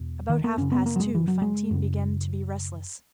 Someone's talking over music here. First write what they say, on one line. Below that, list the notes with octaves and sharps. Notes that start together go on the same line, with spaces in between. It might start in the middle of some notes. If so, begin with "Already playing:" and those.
About half-past two, Fantine began to be restless.
Already playing: E2 B2
D#3
A#3
F#2 C#3 C#4
B3
A#3
F#3
G#3
E3
F#3
G#3
F#2 C#3